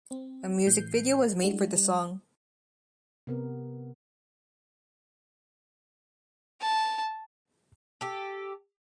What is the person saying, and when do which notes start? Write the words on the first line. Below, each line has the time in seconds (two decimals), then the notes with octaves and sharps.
A music video was made for the song.
0.11 C4
0.66 A2 E3 G6 C7
1.43 G3 G#3 D4 E4 F#4
1.75 G3
3.27 C3 B3 A#4
6.62 A5
8.01 G4 A4